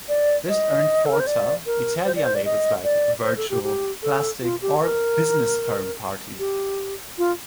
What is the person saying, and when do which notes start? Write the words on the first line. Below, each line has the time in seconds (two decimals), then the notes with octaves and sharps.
This earned Forza Italia labels like "virtual", "plastic" or "business-firm party".
0.08 D5
0.48 D#5
1.05 A4
1.13 A#4
1.20 C5
1.27 D5
1.66 A#4
2.05 C5
2.16 D5
2.25 C5
2.35 D5
2.45 D#5
2.84 D5
3.24 C5
3.37 A4
3.50 G4
3.63 G4
4.02 A4
4.42 F4
4.62 G4
4.81 A#4
6.39 G4
7.18 F4